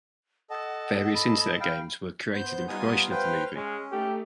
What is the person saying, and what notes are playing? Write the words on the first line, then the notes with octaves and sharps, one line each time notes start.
Various internet games were created in promotion of the movie.
A4 D#5 F#5 A5
B5
F5 G5 B5
B3 C5 G6
G3 D#4 F4 G#5 D#6
B4 C5 F5 G5
G#3 C#4
A3 D#4 G4